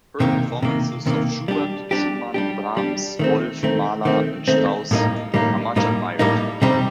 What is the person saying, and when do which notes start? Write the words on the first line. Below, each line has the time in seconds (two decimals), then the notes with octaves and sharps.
Her performances of Schubert, Schumann, Brahms, Wolf, Mahler and Strauss are much admired.
0.20 C3 D#3 A#3
0.63 C3 D#3 A#3
1.06 C3 D#3 A#3
1.48 G3 D4 G4
1.91 G3 D4 G4
2.34 G3 D4 G4
2.77 G3 D4 G4
3.19 D#3 A3 C4
3.63 D#3 A3 C4
4.05 D#3 A3 C4
4.48 D#3 A3 C4
4.91 A2 G3 A#3 D#4
5.34 A2 G3 A#3 D#4
5.76 A2 G3 A#3 D#4
6.19 A2 G3 A#3 D#4
6.62 C3 G3 C4 D#4